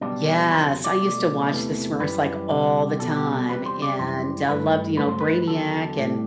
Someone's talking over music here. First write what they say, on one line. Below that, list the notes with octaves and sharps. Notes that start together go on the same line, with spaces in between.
Yes, I used to watch The Smurfs, like, all the time, and I loved, you know, Brainiac and
B1 B2 G3 D4
E2 C3 F#3 C5
D5
B1 B2 A3
E2 C3 E3 A3
F#2 E3 G3 B4
C2 C3 G3
B1 B2 G3 A4
G4
A4
E2 C3 G3 B4
C5
D5
F#2 E3 G3 C5
G2 E3 A3 B4
G2 F#3 A3 B4
C5
B4
E2 D3 F#3 A4
A2 G3